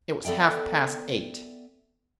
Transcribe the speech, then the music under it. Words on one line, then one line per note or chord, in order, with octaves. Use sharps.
It was half-past eight.
B3 A4 D5 E5 G5